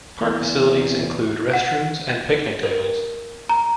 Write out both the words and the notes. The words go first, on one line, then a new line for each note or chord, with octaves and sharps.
Park facilities include restrooms and picnic tables.
E2
F#5
A#4
A#5